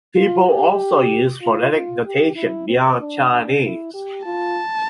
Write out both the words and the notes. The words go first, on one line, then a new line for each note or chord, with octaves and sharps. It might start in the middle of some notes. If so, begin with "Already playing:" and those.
People also use phonetic notation beyond Chinese.
F4
G4
F4
F4
G4
E4
C4
D4
D4
E4
G4
F4 A5